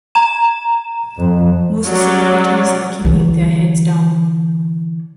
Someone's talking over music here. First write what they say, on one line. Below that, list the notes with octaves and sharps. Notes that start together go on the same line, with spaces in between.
Most celebrities are keeping their heads down.
A#5 E7
F2
F#3 C#4 C#5 D5
D3 E3